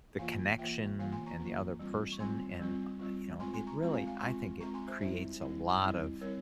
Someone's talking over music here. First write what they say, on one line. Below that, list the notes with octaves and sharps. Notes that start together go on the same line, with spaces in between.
the connection, and the other person. And, uh, you know, it really I think it creates a lot of,
E3 A#3 F4 F5 G#5
E3 A#3 F4 E5 G5
E3 A#3 F4 F5 G#5
G#5 C6
A#5 C#6
E3 A#3 F4
G3 C4 F4
C#6
G3 C4 F4 G#5 C6
G3 C4 F4
G3 C4 F4
G#3 C4 F4 G#5 C6
G#5 C6
A#5 C#6
G#3 C4 F4
F5 G#5
F5 G#5
G#3 C4 F4 G#5 C6
G#3 C4 F4 A#5 C#6
G#5 C6
C5 E5
G3 C4 E4 C5 E5
G3 C4 E4
G3 C4 E4
G3 C4 E4 A#4 C#5